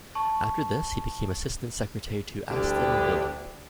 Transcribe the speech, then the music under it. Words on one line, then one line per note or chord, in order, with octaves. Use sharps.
After this he became assistant secretary to Aston Villa.
A5 C#6
D2 G3 B3 D4 E4 G4